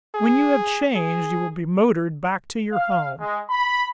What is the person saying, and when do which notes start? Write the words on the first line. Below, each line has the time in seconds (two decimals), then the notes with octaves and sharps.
When you have changed, you will be motored back to your home.
0.15 G#4
0.96 G#4
2.72 F5
3.20 G#3
3.49 B5